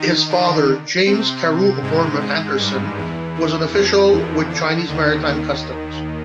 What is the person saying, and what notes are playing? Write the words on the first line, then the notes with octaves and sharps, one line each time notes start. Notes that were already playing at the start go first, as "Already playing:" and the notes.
His father, James Carew O'Gorman Anderson, was an official with Chinese Maritime Customs.
Already playing: D#3 D#4
D3 D4
C3 C4
G#2 G#3
G#2 G#3
G2 G3
E2 E3
E2 E3
F2 F3
E2 E3
D3
D#2 D#3
D#2 D#3